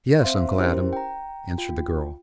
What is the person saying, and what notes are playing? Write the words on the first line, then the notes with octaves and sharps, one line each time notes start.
"Yes, Uncle Adam," answered the girl.
C4 C5 E5 F5 C6
C#4 E4 G4 A#4 C5
G5 A#5
F4 G5